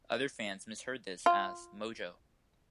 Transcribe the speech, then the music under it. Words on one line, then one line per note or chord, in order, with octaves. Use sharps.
Other fans misheard this as "Mojo".
F4